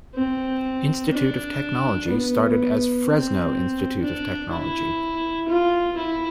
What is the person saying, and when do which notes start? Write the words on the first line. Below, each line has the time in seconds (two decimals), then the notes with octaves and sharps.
Institute of Technology started as Fresno Institute of Technology.
0.15 C4
1.11 D4
2.09 B3
3.06 C4
4.03 D4
4.52 E4
5.48 F4
5.97 E4